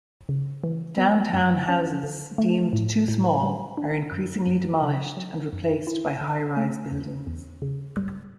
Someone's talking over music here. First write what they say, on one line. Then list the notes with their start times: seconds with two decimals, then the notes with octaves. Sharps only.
Downtown houses deemed too small are increasingly demolished and replaced by high-rise buildings.
0.29 C#3
0.64 E3
0.98 B3
1.33 F#2
1.68 C#4
2.03 D3
2.38 A3
2.73 A2
3.08 A2
3.43 G3
3.77 D4
4.12 F#2
4.47 F#2
4.82 C#3
5.17 F#3
5.53 F#2
5.87 E4
6.21 D3
6.57 A3
6.91 E2
7.27 E2
7.62 C#3
7.97 G3